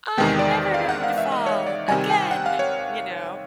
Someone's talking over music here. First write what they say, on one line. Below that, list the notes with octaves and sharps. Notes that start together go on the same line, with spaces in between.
"I'm never going to fall again." You know?
E2 C3 D#3 G#3 B3 G5
D5
F5
F#5
F5
E5
D#5
C#5
D5
C3 D#3 G3 G#5
G5
F#5
F5
C#5